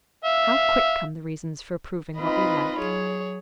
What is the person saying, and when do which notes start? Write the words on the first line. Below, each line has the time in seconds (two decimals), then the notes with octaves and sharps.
How quick come the reasons for approving what we like!
0.24 E5 F5
2.18 C4 D#4 F4 B4 D#5 B5
2.79 F#3 G#4 C#5